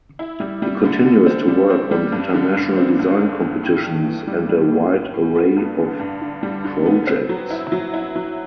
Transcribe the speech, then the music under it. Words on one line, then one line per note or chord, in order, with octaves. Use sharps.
He continues to work on international design competitions and a wide array of projects.
E4
G3
G3
D3
D3
C4
G3
C4
G3
G2
D3
G2
C4
G2
G2
G2
A2
A2
E3
G3
G3
A2
A2
A2
B3
G2
D3
G2
D3
G3
D3
B3
C4
F#3
E4
F#3
E4
F#3